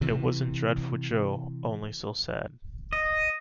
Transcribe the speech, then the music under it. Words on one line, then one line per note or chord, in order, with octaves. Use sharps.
It wasn't dreadful, Jo, only so sad!
C3 E3
D#5